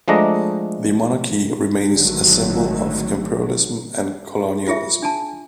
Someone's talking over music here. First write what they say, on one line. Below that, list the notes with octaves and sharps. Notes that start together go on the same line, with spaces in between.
The monarchy remains a symbol of imperialism and colonialism.
F3 G#3 A3 D4 D#5 A#5
G#1 D3 D#3 F#3 A3
F4 G#4 E5
D4 G#5 A5